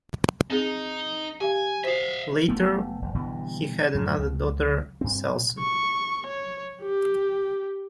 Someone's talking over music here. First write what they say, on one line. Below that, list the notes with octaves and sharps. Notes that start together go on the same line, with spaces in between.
Later he had another daughter, Selcen.
C4 D#4 G#4
G4 F5 G#5
F#4 C5 E5 F5
F1 A3 B3
E1
G1 G2 B2 E3
F#2 A2 F3
C#2
G2 C4
C#6
C#5
G4